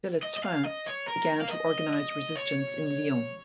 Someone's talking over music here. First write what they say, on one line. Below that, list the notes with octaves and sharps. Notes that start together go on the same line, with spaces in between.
Delestraint began to organize resistance in Lyon.
D#5
D#5
F5
D#5
C#5
A#4
F5
D#5
D#5
C#5